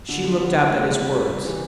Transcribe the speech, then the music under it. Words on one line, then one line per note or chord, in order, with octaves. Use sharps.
She looked up at his words.
D3
G3
D3
E3
A3
G3
G3
E3